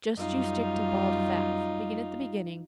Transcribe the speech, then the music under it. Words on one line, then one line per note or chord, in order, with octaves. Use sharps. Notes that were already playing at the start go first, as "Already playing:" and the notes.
Just you stick to bald facts. Begin at the beginning.
F#2 G3 D#4 F4